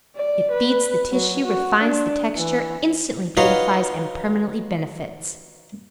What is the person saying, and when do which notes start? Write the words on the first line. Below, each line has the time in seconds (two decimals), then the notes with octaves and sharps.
It FEEDS the tissue, REFINES the texture, INSTANTLY beautifies, and PERMANENTLY benefits.
0.16 D5
0.51 B4
1.12 F#3
1.44 F#4
1.81 D4
2.36 E3
3.37 D#4 F4 F#4 B4 C#5 F5